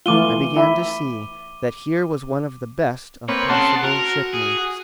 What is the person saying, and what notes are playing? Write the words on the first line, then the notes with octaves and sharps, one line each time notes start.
I began to see that here was one of the best of possible shipmates.
E3 A3 F4 D6 D#7 G7
E4
A#3 C4 B4 C#5
C#3 F#5 A5 C6
F#4 A#4
G#4